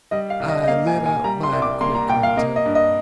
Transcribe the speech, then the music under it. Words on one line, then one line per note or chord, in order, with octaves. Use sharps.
I lit out mighty quick, I tell you.
G3 D#5
F5
C2
D#5
D#5
A#3 F5
G#5
A#2
G#5
G3 A#5
C6
C2
D6
A#3 C6
A#5
A#2 G5
F5
A#3 D#5
D#5
G2
D#5